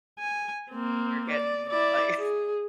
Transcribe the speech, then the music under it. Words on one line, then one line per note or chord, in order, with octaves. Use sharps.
You're getting, like,
G#5
A#3 C4
D5
E4 D5
G#4